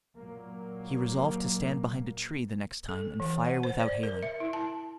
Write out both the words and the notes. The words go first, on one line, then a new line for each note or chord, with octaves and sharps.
He resolved to stand behind a tree the next time and fire without hailing.
A#2 F#3 A#3
A4
E3
F#5
C5
D5
A#4
E5
E4
A5